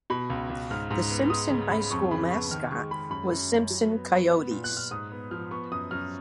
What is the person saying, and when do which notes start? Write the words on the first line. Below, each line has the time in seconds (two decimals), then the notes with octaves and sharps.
The Simpson High School mascot was Simpson Coyotes.
0.10 B2 B5
0.30 C#2
0.50 C#2
0.70 G#2 F6
0.91 G#2
1.11 B3
1.30 G#3 D#6
1.50 C#3
1.70 C#3 B5
1.91 F2 C#6
2.11 C#3 B5
2.31 B3 C#6
2.51 D#3 F6
2.71 G#3 C#6
2.91 G#3 B5
3.10 F#2 B5
3.31 F#2
3.51 F#2
3.70 F#3
3.91 B3
4.11 B3
4.31 B3
4.51 A#2
4.64 F#6
4.72 A#2
4.77 F6
4.91 G#2 D#6
5.12 B3
5.31 F3 F6
5.51 B3 C#6
5.71 F#2 D#6
5.91 F#2 F6